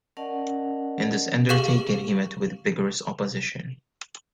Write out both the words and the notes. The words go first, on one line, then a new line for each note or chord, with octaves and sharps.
In this undertaking he met with vigorous opposition.
C#4 A#4 D5 D#5 F#5 A5
G4 G#4 F5 C#6 F#7